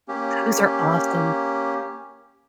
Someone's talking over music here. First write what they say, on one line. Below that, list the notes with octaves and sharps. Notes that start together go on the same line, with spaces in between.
Those are awesome.
A#3 C#4 G4